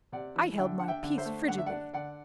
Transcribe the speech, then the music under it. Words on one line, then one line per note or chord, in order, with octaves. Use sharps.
I held my peace frigidly.
C3 D5 F#5
E3
D3 E5 G5
D4 F#5
E5 G5
D3
C5 E5
A3
D3 F#5
E5
D5 F#5
D4
D3 D5 F#5